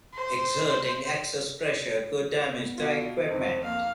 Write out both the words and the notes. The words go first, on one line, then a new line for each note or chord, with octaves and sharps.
Exerting excess pressure could damage the equipment.
C5
B3
B2 F4
F2 D#4 C5
A#3 F5